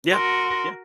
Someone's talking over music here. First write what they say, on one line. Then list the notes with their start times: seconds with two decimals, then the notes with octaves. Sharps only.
Yeah, yeah,
0.13 F#4 A#4 C6